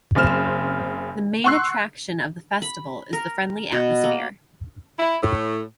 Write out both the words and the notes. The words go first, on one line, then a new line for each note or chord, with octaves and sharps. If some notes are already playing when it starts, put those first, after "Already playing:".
The main attraction of the festival is the friendly atmosphere.
F#1 C#3 C4 F6 E7
F#5 C6 C#6 E6 F#6 C7
B5
A#4
B2
A#3
E4
A2